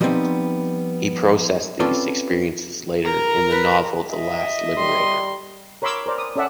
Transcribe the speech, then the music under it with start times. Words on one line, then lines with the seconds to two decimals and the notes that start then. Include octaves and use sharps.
He processed these experiences later, in the novel “The Last Liberator”.
0.01 F3 G3 G#3 B3 C4 D#4
1.80 C4 C#4 F4 A4 B4 D5
3.05 A#4 A#5
3.50 B4
4.12 D#5 E5
4.78 G3 C6
5.82 A#4 C#5 B5 C6 D6 E6
6.06 A#4 C5 D5
6.18 D#6
6.36 C#4 A4 D5 E5 F#5